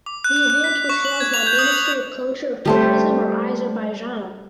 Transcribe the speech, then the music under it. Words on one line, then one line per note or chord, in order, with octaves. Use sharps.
The event was held by Ministry of Culture of Tourism of Azerbaijan.
D6
F#6
F#6
F#6
B6
C#6
F#7
G#6
F7
G6
D#6
F7
G3 A3 C5